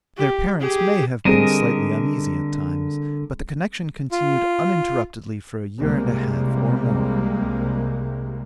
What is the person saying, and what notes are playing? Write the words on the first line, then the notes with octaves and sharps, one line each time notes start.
Their parents may have been slightly uneasy at times, but the connection continued uninterruptedly for a year and a half or more.
G4
G4 G#4
D3 G3 C4 G#4 A#4 D#5
F4
C2 C3 G3 G#3 A#3